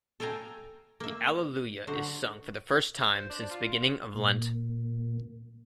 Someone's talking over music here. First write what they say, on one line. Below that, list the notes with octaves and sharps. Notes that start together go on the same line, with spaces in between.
The Alleluia is sung for the first time since the beginning of Lent.
A4 F5 G5 G#5 A#5
A#3 E5
D3 F#3 F#4 C5
C5
D4
F4
A#2